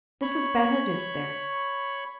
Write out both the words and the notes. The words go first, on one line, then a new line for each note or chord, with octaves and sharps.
Mrs. Bennett is there.
C#5 B5 C#6